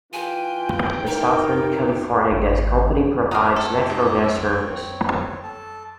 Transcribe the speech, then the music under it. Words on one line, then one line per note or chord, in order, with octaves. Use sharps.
The Southern California Gas Company provides natural gas service.
E3 F4 G5 G#5
D#4 A#4
G#1
B3 C4 A#4 E5 F5 A#5 D#6 F6
C4 A4 C#5
G#2
F#2 E6
A4 A5